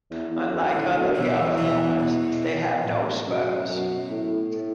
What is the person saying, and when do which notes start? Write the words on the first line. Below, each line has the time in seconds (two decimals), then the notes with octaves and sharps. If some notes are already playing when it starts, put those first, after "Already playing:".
Unlike other Galliformes, they have no spurs.
0.10 E2
0.31 E2
0.53 F#2
0.73 A2 D3
0.94 B2
1.15 B2 E3
1.37 E2
1.57 B2 E3
1.99 B2
2.42 B2
2.84 A2
3.26 F#2 B2
3.68 F#2
4.10 A2
4.51 A2